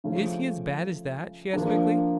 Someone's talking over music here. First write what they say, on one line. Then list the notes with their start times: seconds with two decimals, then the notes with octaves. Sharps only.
"Is he as bad as that?" she asked quickly.
0.04 C#3 F3 A3 C#4
1.53 F3 A#3 D4